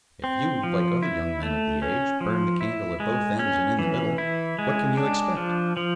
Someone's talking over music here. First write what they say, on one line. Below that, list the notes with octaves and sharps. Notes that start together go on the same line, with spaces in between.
If you, like other young men of the age, burn the candle at both ends and in the middle, what can you expect?
C4
F3
E4
A3
C#4
F3
E4
G#3
C#4
E3
E4
G#3
D4
F3
F3